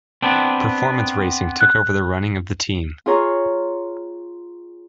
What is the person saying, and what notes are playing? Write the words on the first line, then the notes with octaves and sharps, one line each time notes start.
Performance Racing took over the running of the team.
B3 C4 D4
F#6
F4 G#4 C#5 A#5